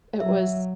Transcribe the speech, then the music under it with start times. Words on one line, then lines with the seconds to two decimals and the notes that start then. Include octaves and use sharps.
it was
0.20 F#3 E5